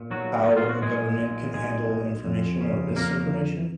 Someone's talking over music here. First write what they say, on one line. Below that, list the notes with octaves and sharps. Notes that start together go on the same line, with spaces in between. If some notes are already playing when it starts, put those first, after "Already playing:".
how a government can handle information or misinformation
Already playing: A#2
B1 F#3 F#4
A#2 D#4
F4
F#4
A#2 G#3 G#4
B1
B1 G#3 G#4
B1
F2
C#3
F2 A#3 A#4